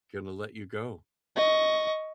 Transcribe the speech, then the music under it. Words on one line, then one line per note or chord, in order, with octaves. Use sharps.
gonna let you go,
D#5 C#6